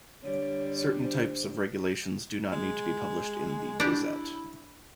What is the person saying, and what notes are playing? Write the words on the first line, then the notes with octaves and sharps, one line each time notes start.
Certain types of regulations do not need to be published in the "Gazette".
D3 G3 C#5
C5
G#3
D4 E4 G4